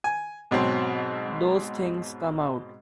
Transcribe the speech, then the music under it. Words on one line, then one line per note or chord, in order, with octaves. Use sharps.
Those things come out.
G#5
G#2 B2 F#3 C4